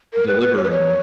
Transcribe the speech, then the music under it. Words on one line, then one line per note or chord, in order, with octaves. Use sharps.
deliver 'em.
A#4
B4
B4
C#5
B4
C#5